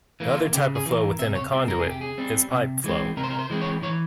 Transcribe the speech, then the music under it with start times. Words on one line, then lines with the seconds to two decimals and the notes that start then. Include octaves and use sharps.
The other type of flow within a conduit is pipe flow.
0.20 E3 A#3
0.31 F4
0.53 C#3 G4
0.75 G#4
0.86 E3 A#3
1.18 C3 E5
1.35 C#5
1.52 G3 C4 G4
1.68 A#4
1.79 C3 G#4
1.90 G4
2.01 G#4
2.18 G3 C4
2.51 C3
2.84 E3 G#3 C4
3.17 C3 A#4
3.24 C5
3.30 A#4
3.39 C5
3.50 E3 G#3 C4
3.61 C#5
3.83 E3 C#5